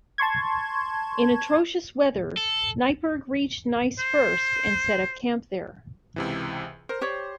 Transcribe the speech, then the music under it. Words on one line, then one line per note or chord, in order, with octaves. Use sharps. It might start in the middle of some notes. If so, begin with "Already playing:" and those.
In atrocious weather, Neipperg reached Neisse first and set up camp there.
A5 C6 C#6 G#6
A4
C5
C#2 C3 E3
A#4 C5
G4 C#5 D5